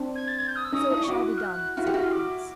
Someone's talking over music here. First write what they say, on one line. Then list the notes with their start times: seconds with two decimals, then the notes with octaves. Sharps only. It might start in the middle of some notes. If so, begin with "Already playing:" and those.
"So it shall be done!" said the Prince.
Already playing: C4 D4
0.15 G#6
0.27 A6
0.38 G#6
0.47 G6
0.55 D#6
0.64 E6
0.72 C#4 D#4 D#6
0.90 D4 E4
1.03 C#6
1.08 E4 F#4 D6
1.25 F#6
1.37 F6
1.42 F#6
1.76 E4 F#4 F6
1.87 G4
1.94 E4 F#4 F6
2.11 D6